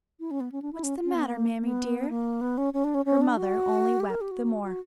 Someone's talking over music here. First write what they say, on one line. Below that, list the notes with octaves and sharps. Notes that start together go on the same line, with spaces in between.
What's the matter, mammie dear?' her mother only wept the more.
E4
C#4
B3
C#4
D4
E4
C#4
C#4
B3
A#3
B3
A#3
B3
C#4
C#4
D4
C#4
C#4
D4
F#4
G4
A#4
G4
F#4
F#4